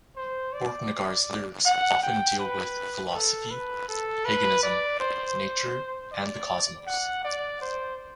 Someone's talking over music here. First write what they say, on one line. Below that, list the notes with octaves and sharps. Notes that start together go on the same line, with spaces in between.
Borknagar's lyrics often deal with philosophy, paganism, nature, and the cosmos.
C5
D5
F#5
G5
B4
A4
B4
A4
B4
D5
C5
D5
F#5
D5
C5